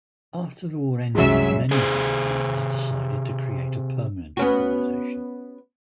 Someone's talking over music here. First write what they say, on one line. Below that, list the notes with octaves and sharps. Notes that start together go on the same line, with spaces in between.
After the war ended, many of these leaders decided to create a permanent organization.
C2 F#2 F#3 G#3 E5
C3 G#4 C5
B3 C#4 F#4